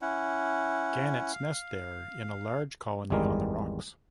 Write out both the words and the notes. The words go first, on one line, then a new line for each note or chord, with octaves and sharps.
Gannets nest there in a large colony on the rocks.
C#4 E4 F#5
F5
G#1 E2 G3 G#3 A#4